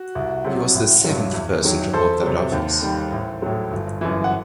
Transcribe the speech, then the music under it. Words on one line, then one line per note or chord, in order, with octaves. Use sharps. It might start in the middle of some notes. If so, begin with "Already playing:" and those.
He was the seventh person to hold that office.
Already playing: F#4
C2
C3 F#3
A1
G2 F#3
E2
D#3 F#3
E2 A4 C5
C3 F#3
D#2
D#3 G3
A1
A2 F#3
G1
F#2 E3
F#5